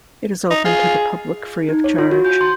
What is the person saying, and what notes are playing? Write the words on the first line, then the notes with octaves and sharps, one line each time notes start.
It is open to the public free of charge.
D#4
F4 G#4
D#4
C#5
F4
F#4
G6
C6